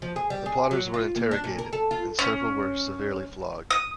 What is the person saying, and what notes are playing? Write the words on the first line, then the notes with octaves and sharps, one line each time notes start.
The plotters were interrogated, and several were severely flogged.
F3
G#4
G3
G#4
F#3
F4
A#3
D4
A#2
A#4
A4
F4
C#4
D#6